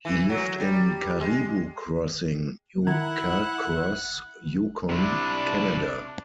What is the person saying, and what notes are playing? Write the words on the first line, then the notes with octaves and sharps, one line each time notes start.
He lived in Caribou Crossing, now Carcross, Yukon, Canada.
E3
F#3
G3
G#3
D#3 E4 F#5 A#5 F#6 G#6
C3 D4 E4